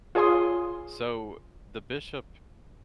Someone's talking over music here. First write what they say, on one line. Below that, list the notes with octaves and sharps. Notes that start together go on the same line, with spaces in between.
so, the Bishop,
F4 G#4 C#5 G#5 C6 D#6